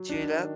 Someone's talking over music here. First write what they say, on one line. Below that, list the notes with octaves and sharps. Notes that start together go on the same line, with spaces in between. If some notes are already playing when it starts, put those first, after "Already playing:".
Chewed up.
Already playing: F#3
D#3 D4